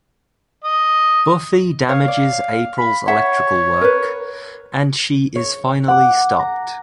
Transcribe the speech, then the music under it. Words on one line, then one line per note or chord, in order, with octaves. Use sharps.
Buffy damages April's electrical work, and she is finally stopped.
D#5
C#5 F5
D5
B5
C#5 E5 F#5
A#4 B4
C#5
F#5 D6
A#5